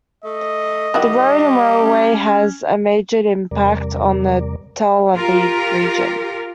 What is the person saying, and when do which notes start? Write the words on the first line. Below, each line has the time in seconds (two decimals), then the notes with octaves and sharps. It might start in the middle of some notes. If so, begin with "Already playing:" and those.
The road and railway had a major impact on the Tel Aviv region.
0.24 A3 D#5
0.94 D#3 G3 E4 F#4
1.79 C#4
3.51 E2 C3 G3 A#4 D5
5.15 F4 G4 A#4